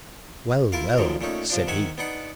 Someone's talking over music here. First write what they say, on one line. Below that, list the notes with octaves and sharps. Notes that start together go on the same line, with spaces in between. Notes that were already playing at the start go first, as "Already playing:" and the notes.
"Well, well!" said he.
E4 F4 A#4 F5
F#2 A#2 D3 D#3 F3
A#2 A3 C#4 D#4
C3 F3 D4
G#2 D#3 E5 F#5 G#5
B3 D4 D#4 F#5